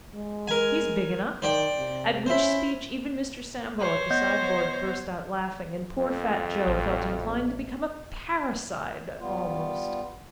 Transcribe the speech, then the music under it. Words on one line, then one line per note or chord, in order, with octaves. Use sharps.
"He's big enough." At which speech even Mr. Sambo at the sideboard burst out laughing, and poor fat Joe felt inclined to become a parricide almost.
G#3
A#4 G#5
D#3 C5 D5 G5
C3
C#4 E4 C5
C5 C#5
B3 D#5 G6
F2
A1
G3 B3 F4